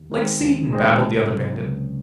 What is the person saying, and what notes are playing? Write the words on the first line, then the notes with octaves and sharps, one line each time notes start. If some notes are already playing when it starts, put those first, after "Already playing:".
"Like Satan!" babbled the other bandit.
Already playing: D#2
D#3 G#3 C4
D#2
D#3 G#3 C4
C#2
C3 F#3
C#2